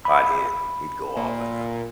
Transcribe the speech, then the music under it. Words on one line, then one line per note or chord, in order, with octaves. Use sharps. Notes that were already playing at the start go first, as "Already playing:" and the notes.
hothead, he'd go off in a
B5
A#2